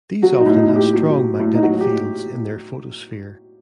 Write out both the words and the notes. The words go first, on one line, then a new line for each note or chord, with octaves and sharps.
These often have strong magnetic fields in their photosphere.
F#3 F#4
D#4
A2
D#4
A2
G4
F#3
F#3
A2
D#4
F#3 F#4
G4